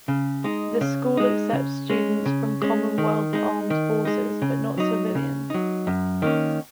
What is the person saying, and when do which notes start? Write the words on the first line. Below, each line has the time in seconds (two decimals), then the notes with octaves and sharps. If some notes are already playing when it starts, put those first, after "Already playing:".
The School accepts students from Commonwealth armed forces, but not civilians.
0.08 C#3
0.44 G#3 D#4
0.81 C#3
1.17 G#3 D#4
1.53 C#3
1.90 G#3 C#4
2.26 C#3
2.62 G#3 C#4
2.98 D#3
3.33 G#3 D#4
3.70 D#3
4.05 G#3 D#4
4.42 C#3
4.78 F#3 D#4
5.15 C#3
5.50 F#3 D#4
5.87 F#2
6.22 D#3 A#3 C#4